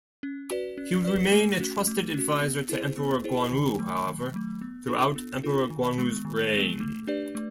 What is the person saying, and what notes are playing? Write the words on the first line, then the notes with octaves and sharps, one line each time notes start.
He would remain a trusted advisor to Emperor Guangwu, however, throughout Emperor Guangwu's reign.
C#4
F#4 B4 D5
C#4
F#4 B4 D5
A3
C#4 F#4
A3
C#4 F#4
B3
E4 G#4 C5
B3
E4 G#4 C5
D#3
F#3 A3
D#3
F#3 A3
B3
D4 F4 A4
B3
D4 F4 A4
D#3
G#3 B3
D#3
G#3 B3
A3
D4 G4 B4 D5
A3